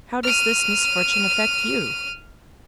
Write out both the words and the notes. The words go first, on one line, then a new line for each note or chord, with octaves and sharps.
How does this misfortune affect you?
F6 D#7